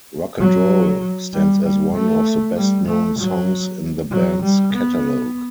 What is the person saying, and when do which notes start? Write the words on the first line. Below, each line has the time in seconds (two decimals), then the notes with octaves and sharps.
"Rock and Roll" stands as one of the best-known songs in the band's catalogue.
0.40 F#3
1.33 G3
1.64 G3
1.95 A3
2.56 G3
2.87 A3
3.19 F#3
4.11 F#3
4.42 G3
4.73 B3